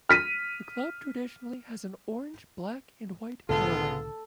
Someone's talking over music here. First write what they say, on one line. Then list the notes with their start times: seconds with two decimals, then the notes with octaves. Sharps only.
The club traditionally has an orange, black and white colourway.
0.09 F6 B6 D#7
3.49 C2 A2 D3 G#3 B3 F4 A4